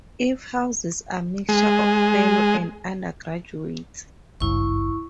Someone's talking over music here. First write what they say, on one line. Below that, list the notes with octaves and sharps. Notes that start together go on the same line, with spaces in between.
It houses a mixture of fellows and undergraduates.
G#3
G#1 C#2 G2 E4 C#6